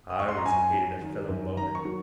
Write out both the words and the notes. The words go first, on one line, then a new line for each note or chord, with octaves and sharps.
I always hated that fellow Mohun.
D#6
C#6
C6
A#5
F#2 G#5
F#3
D#3
F#2
D#3 A#5
C#6
F#3